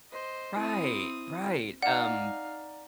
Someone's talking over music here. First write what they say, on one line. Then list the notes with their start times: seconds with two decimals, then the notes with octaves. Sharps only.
Right, right, um,
0.12 C5 D#5
0.57 C4 E4 D#6
1.83 D#4 D5 F5 F#5 A#5